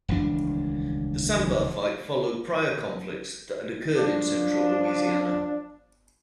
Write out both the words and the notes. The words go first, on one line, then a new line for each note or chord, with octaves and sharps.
The Sandbar Fight followed prior conflicts that had occurred in central Louisiana.
D#1 C#2 E3 D4
F3 D4